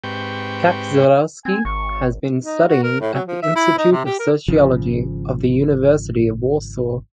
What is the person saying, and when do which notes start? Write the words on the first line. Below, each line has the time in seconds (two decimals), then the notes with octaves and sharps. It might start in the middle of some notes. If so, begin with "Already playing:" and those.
Kaczorowski has been studying at the Institute of Sociology of the University of Warsaw.
0.04 G#2 C4 G4 B4 G5 C#6
1.45 C4 G#5
1.65 G#1 C#6
2.45 D#4
2.68 F#4
2.83 A#4
3.01 A2
3.13 F#3
3.28 F3
3.42 E5
3.56 E4
3.78 D#4
3.92 C3
4.05 G4
4.19 A#4
4.48 G#1 C#3 F3